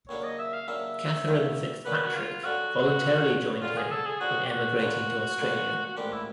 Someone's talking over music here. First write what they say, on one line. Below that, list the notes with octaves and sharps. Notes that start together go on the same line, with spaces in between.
Catherine Fitzpatrick voluntarily joined him in emigrating to Australia.
D#2 C#3 F#3 A#3 D4 C#5
D#5
E5
F5
D#2 C#3 F#3 A#3 D4 E5
D#2 C#3 F#3 A#3 D4
D#2 C#3 F#3 A#3 D4 B4
F#4
F4
F2 D3 F#3 F#4
F2 D3 F#3
F2 D3 F#3 F4
G#4
A4
G#4
F2 D3 F#3 F#4
G4
F#4
A1 G#2 F3 A#3 D4
A1 G#2 F3 A#3 D4
F#4
A1 G#2 F3 A#3 D4 G4
E4